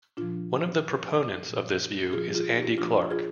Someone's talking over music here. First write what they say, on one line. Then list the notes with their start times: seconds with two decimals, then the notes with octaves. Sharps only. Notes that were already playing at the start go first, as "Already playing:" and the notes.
One of the proponents of this view is Andy Clark.
0.17 A#2 F3 D4 F4
0.82 A#2 F3
1.49 A#2 F3
2.13 A#2 F3 F4 G#4
2.34 F4 G#4
2.56 D#4 G4
2.78 A#2 F3 D4 F4
3.11 F4 G#4